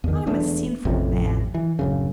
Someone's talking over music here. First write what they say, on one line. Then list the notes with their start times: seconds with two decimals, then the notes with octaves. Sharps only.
I am a sinful man.
0.04 E2 D#3
0.26 E1 E2 A3 D4
0.85 A1 F2 A2 C3
1.54 E3
1.79 D1 F#2 C#3